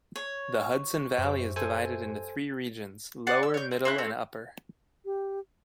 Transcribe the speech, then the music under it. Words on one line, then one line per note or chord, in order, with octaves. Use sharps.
The Hudson Valley is divided into three regions: Lower, Middle, and Upper.
C#5
F#2 G4 C5 E5
A4 C5 G#5
D5 F#5 C6
E6
C#5 G6
C4
C4 E4 F#6
A3 C4
G4